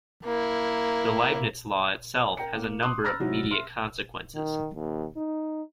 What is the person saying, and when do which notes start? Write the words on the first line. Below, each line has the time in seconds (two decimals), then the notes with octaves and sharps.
The Leibniz law itself has a number of immediate consequences.
0.25 A#3 E4
2.37 A#4 G5 A#5 C#7
2.55 A#3
2.82 C6 D6 D#6 F#6
3.04 A#5 B5 E6 F6 A6 A#6
3.20 C3 F#3 D#4 E4 F#4
3.51 E5 C6 F6
4.35 D#3
4.75 D#2
5.17 D#4